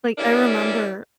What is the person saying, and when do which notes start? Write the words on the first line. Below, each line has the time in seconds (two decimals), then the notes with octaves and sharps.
Like, I remember
0.18 E3 G3 A#3 C#4 D4 E4